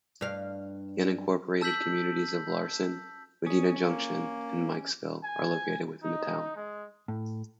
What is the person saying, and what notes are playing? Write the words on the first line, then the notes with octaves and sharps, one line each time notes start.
The unincorporated communities of Larsen, Medina Junction, and Mikesville are located within the town.
G2 F5
A5 E6 G6 B6 F#7
C#4 D#6
A#3
G#5
D#4
G#3
A2